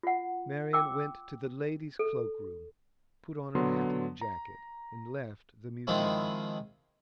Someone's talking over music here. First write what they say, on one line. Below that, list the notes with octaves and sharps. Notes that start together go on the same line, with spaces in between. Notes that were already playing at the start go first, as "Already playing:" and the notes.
Marian went to the ladies' cloak-room, put on her hat and jacket, and left the Museum.
F4 F#5
G5 D6 E6
A4
D3 F#3 B3 C6
A#5
D#3 F3 G#3 C4 E4